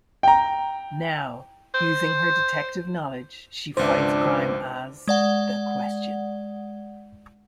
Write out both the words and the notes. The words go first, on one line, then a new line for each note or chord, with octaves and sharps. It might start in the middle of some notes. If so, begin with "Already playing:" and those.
Now, using her detective knowledge, she fights crime as "The Question".
G5 A#5
C5
G#1 C#2 F3 D4 B4 C5 E5 D6
G#3 D5 F#5 G7